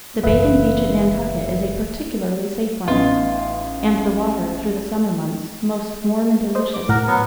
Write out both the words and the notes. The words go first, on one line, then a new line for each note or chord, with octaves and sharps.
The bathing-beach at Nantucket is a particularly safe one, and the water through the summer months most warm and delicious.
F#1 E3 A#3 B4 E5
A1 B3 D#4 F4
C5 D#5
D6
A2 A#4 F#5
F#3 B3